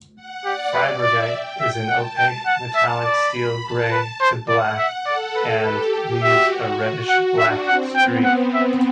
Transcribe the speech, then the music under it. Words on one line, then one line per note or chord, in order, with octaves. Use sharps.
Freibergite is an opaque, metallic steel grey to black and leaves a reddish-black streak.
F#5
G4 D5
B4
D5 E5
G5
E5
F#5 A5
G5
F#5 A5
E5
D5 B5
B5
A5
B4
C5
D5 F#5
E5
A4 D5
B4
G4 B4
F#4 E5
F#5
D4 E5
C4 F#5
B3 G5
F#5
E5